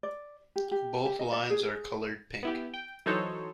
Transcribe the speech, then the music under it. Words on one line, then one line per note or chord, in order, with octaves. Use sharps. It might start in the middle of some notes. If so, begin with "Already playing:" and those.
Both lines are colored pink.
D5
G4
G4
G4
D#5
D5
G#4
G#4
B3 E4 G4
G5
E3 F#3 D#4 A4 C5 C#5